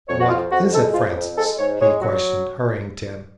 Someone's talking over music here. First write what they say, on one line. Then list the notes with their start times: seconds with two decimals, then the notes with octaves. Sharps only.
"What is it, Francis?" he questioned, hurrying to him.
0.08 F2 C#5
0.20 F#4
0.29 F2 F4
0.51 F2 F#4
0.72 G#3 A4
0.94 F2 F4
1.16 F2
1.37 G#3 A4
1.58 G#2 C#5
1.80 G#3 C#5
2.01 F#3 F#4